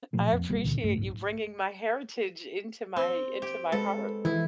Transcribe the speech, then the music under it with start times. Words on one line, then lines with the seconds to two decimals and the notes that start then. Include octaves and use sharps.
I appreciate you bringing my heritage into my into my heart.
0.13 A#2 F3 A3
0.32 F2
0.49 A#1 E3 G3 B3
0.64 C#2 A#2 D3
0.82 A#1 G2 D3 A3
0.98 B1 G#2
2.96 C4
3.42 G4
3.72 G#3 A4 B4
4.25 E3 E4